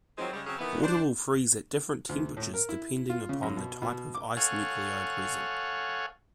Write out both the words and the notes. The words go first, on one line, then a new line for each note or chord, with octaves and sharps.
Water will freeze at different temperatures depending upon the type of ice nuclei present.
D#3 F3 F#3 G#3 C4
C#3 G3 G#3
C#3 F#3 C4 C#4 F#4 G#4
C3 D#3 E3 B3
D4 C5
D2
A2
A#4
E4
F4
C#3
F#2
B2
B2
D6
A4 C#5 F5 F#5 G#5